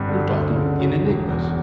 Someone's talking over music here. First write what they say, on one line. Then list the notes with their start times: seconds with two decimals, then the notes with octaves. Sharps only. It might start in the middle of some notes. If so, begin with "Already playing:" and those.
"You're talking in enigmas."
Already playing: G1 G2 C3
0.09 D3
0.33 D2
0.56 C#3
0.80 F#3
1.05 E1
1.29 E2